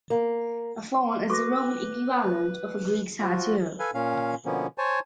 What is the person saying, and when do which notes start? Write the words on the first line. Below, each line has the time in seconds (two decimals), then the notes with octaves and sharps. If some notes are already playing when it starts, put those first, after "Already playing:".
A Faun is the Roman equivalent of a Greek Satyr.
0.10 A#3
1.30 F#4 A4 B4 C#6 D6 A#6
3.20 F3 F4 F#4
3.79 A4 B4 F5 G#5
3.94 A#2 C#4 F5
4.45 B2 D3 F3 A#3 B3 C#4
4.78 C5 C#5 G#5 A5